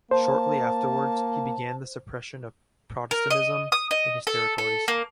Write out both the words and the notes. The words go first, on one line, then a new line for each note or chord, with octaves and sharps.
Shortly afterwards, he began the suppression of Protestantism in his territories.
A#3 C5 A5
A#4
D#5
D#6
D#5
A4
A4
A#3